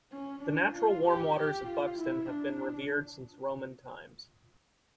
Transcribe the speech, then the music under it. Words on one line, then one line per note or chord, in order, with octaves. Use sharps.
The natural warm waters of Buxton have been revered since Roman times.
C#4
D4
F4
G4
G4
F4
E4
D4